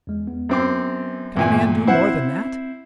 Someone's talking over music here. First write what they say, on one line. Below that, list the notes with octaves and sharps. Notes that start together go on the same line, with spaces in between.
Can a man do more than that?
E2 G#3
B3
F#2 C4 D6
E2 G2 A#2 G5 G#5
C4 E4 C5 F#5